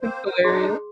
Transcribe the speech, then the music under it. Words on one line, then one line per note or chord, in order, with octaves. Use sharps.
That's hilarious.
A#3 C4 C5
A#4 C5
D4 D#4 G#4 C6